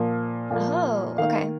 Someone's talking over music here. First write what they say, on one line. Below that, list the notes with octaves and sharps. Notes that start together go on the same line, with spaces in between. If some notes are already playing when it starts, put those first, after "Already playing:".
Oh, okay.
Already playing: A#2 F3 A#3
A#2 F3 A#3
D#3 A#3 F5